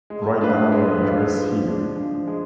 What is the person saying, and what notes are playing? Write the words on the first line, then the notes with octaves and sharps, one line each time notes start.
Write down your address here.
G#3
D4 F4 B4
G#3
D4 F4 B4
F3
G#3 D4
F3
G#3